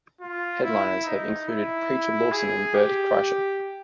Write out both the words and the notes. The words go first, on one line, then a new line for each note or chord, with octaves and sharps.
Headliners have included Preacher Lawson and Bert Kreischer.
F4
E4
D#4
E4
G#4
G4